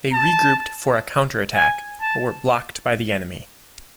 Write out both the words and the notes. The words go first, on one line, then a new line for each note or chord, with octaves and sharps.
They regrouped for a counterattack, but were blocked by the enemy.
A5
G#5
A5